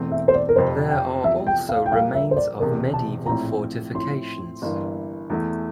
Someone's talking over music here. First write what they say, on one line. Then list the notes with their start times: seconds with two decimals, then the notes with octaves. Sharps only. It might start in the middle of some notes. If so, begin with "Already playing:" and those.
There are also remains of medieval fortifications.
Already playing: E1 E2 E3 A3 C4
0.12 E5
0.28 C5
0.34 D5
0.49 A#4
0.56 F1 F2 C3 C5
0.90 G5
1.24 F1 E2 C3 F3 E5
1.47 G5
1.69 F5
1.86 G5
1.91 A#1 A#2 G3 A#3 F5
2.14 E5
2.31 C5
2.36 D5
2.59 E1 E2 C3 A#4
2.94 A5
3.26 A#1 A2 F3 C4 E4 A#5
3.94 A2 F3 C4 E4 C6
4.62 G1 G2 E3 A#3 E4
5.30 E2 E3 A3 E4